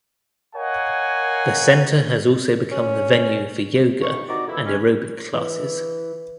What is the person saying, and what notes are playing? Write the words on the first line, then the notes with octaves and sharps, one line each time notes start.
The center has also become the venue for yoga and aerobic classes.
A#4 C#5 D#5 F5 F#5 G#5
C#4
D2 G2 D#3 C#6
C4 D#4 F#4 D5
C2 F2 B2 E4
G3 G#3 C#4
E3